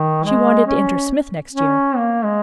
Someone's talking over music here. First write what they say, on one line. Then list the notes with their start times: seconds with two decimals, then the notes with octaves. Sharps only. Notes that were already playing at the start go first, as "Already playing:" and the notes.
She wanted to enter Smith next year.
Already playing: D#3
0.25 G#3
0.67 C#4
1.53 C#4
1.97 A#3
2.24 G#3